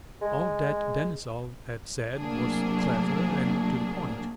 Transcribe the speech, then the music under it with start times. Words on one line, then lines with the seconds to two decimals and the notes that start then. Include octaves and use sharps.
All that Denisov had said was clever and to the point.
0.22 G#3
2.14 A2 C3 F#3 A#3 D4 G#4